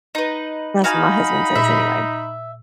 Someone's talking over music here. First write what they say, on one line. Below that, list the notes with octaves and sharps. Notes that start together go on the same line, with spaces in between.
that's what my husband says anyway-
D#4 B4
D#4 F#4 F5 G#5 B5
A#2 E5